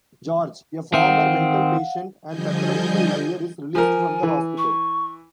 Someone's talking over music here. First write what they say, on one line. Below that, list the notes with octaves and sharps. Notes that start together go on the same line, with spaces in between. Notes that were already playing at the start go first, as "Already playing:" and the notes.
George, a former mental patient and pathological liar, is released from the hospital.
D#3 C4 F5 F#5
D3 F3 G3 D#5 G#5 G6
F3 A#4 G#5
E3
C#6